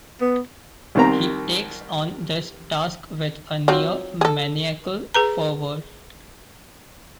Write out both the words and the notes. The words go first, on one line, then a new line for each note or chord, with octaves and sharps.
He takes on this task with a near-maniacal fervor.
B3
C2 D#3 C4 A#5
F#3 C4 F4
G#4 A4
G#4 B4 A#5